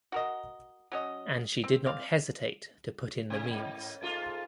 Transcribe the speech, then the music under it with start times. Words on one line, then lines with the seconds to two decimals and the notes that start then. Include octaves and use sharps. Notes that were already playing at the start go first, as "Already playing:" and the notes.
And she did not hesitate to put in the means.
0.12 F#4 A#4 D#5
0.92 F#3 C#4 D#5
1.64 C4
1.86 C4 D5 F5
3.30 C3
3.51 G#2
4.02 G#2 A3 F4